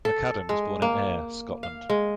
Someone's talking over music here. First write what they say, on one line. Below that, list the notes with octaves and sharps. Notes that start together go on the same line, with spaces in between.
McAdam was born in Ayr, Scotland.
A4
G#3
A#3
F5
G#3